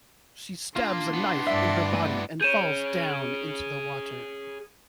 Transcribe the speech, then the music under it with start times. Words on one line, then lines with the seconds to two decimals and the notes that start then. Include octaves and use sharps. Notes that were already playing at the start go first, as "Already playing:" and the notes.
She stabs a knife in her body and falls down into the water.
0.76 A#3 D4 F4 C6
1.14 A2 B3
1.47 G2 D5 E5
1.94 A3
2.41 G#4 C#5 G6 D#7 E7